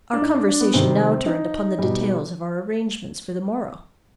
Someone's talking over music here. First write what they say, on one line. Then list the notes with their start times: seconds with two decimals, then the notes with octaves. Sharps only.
Our conversation now turned upon the details of our arrangements for the morrow.
0.13 D4
0.22 D#4
0.34 D4
0.48 D4
0.61 B3
0.74 C3 D#3 G3 C4
1.26 D#4
1.79 B2 G3